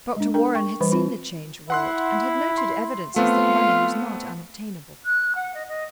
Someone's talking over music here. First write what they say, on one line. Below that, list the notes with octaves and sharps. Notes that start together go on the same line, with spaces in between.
Dr. Warren had seen the change wrought, and had noted evidences that money was not unobtainable.
G#3 D4
D4 A#4 G5
G5 C#6
E3 G3 B4 C5 B5
C4 F4 B5
E4 F#5 C6 F#6
C6
A3 B3 C4 F4
F#6
F#5
D#5
D#5